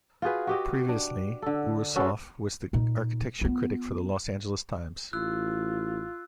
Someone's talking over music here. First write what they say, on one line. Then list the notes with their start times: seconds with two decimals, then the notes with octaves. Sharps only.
Previously, Ouroussoff was the architecture critic for the "Los Angeles Times".
0.22 F4 F#4 G#4 B4
0.47 F#4 G4 D#5
0.89 D4
1.42 D3 A4
1.96 C#4 F#4 G#4 A4
2.73 A#2 D#4
3.41 B3 F4
5.13 A1 F4 E6 F#6